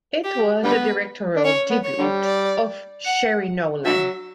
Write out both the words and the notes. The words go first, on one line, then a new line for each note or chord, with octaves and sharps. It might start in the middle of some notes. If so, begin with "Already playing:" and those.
It was the directorial debut of Cherie Nowlan.
G4
D3 G3 B3 B4
D4
C#4 C#5
B3
C#5
D3 G3
D5
F#5
D3 F#3 E5